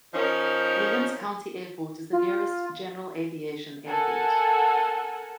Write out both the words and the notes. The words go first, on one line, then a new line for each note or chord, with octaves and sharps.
Williams County Airport is the nearest general aviation airport.
F3 C#4 D#4 A#4
F4
A4 A#4 F#5 G#5